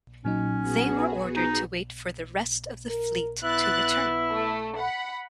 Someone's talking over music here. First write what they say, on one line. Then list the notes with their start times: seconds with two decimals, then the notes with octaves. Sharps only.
They were ordered to wait for the rest of the fleet to return.
0.25 A#2 F#3 C#4 D#4
0.61 B3 F#4 G#4
0.98 B4 G#5
1.36 D#4
2.89 A#4
3.44 B3 E4 F#6 A6
4.33 A3
4.77 F#5 B5